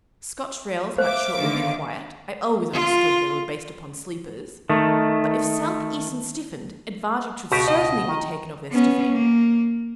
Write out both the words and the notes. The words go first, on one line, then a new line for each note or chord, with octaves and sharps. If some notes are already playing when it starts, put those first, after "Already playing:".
Scotch rails might shortly be quiet-- I always understood they were based upon sleepers; but if South-Eastern stiffened, advantage should certainly be taken of their stiffening.
C5 E5 F5 D6
D3 D#3
F4
D#3 A3
C#2 B2 F#4 G4
D#5
D#3
B3 C#4
A#3